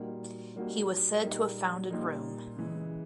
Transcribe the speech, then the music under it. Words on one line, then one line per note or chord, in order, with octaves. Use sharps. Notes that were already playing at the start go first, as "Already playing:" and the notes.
He was said to have founded Rome.
Already playing: A#2 G3 A#3 D#4 F#4
A#2 G3 A#3 D#4 F#4
A#2 G3 A#3 D#4
A#2 G3 A#3 D#4
C#3 E3 G#3